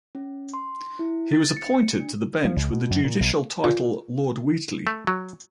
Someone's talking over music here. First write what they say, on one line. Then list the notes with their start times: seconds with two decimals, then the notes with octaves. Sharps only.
He was appointed to the bench, with the judicial title Lord Wheatley.
0.15 C#4
0.54 C6
0.99 E4
1.31 A6
1.57 C#7
2.00 D4
2.45 F3
2.57 C#2
2.72 B2
2.91 F#2
3.04 A#2
3.20 B1
3.64 A#2
4.87 A3
5.07 F#3